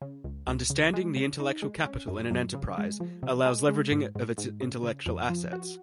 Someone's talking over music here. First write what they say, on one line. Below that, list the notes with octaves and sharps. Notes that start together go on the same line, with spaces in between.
Understanding the intellectual capital in an enterprise allows leveraging of its intellectual assets.
C#3
C#2
C#2
C#3
G#3
C#3
D#4
G#3
C#4
F#2
F#2
C#3
G#3
F3
C3
G#3
G#3
G#2
G#2
G#2
C#3
C#3
F2
F3
F#4